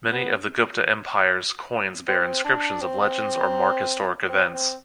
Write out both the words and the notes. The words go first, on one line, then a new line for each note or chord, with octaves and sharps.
Many of the Gupta Empire's coins bear inscriptions of legends or mark historic events.
B3
C4
D4
C4
C4
C4